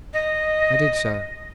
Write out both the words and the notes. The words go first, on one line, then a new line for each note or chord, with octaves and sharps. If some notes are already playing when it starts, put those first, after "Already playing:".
I did so.
D#5